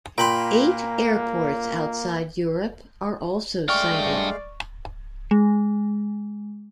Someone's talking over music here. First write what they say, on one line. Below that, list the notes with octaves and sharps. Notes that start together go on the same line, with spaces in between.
Eight airports outside Europe are also cited.
A#2 A#3 G5 B5 C6
G2 G#3 A3 D5 F5 G5 C#6 F6
G#3